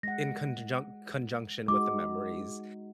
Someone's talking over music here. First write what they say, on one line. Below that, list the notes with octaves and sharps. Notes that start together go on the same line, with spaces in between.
in conjun conjunction with the memories,
G#3 F#5 A#6
G#3 D#4 F#4 D6